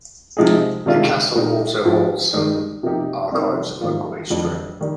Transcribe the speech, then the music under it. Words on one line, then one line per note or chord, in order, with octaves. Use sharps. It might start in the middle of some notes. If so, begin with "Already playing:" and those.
The Castle also holds some archives of local history.
C3 F3 G#3 D#4 G#4
C3 D#3 G#3 D4 F4
A#2 G3 A#3 D#4
G#2 F3 G#3
G2 D#3 G#3 D#4
C3 F3 A#3 D#4 G4
C3 G3 A#3 D#4 A#4
G#2 D#3 G3 A#3 F4
F2 D3 G3 D4
D#3 G3